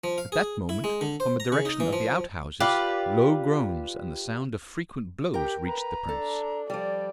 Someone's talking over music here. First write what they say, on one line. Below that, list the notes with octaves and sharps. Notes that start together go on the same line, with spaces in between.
At that moment, from the direction of the outhouses, low groans and the sound of frequent blows reached the prince.
F3
F5
G#4
E4
G#3
D3
C5
A#5
C#3
D#4
E3
F3
F4 G4 B4 D5
G4 A#4 G5
B4 A#5
D4 A4
F3 G3 D5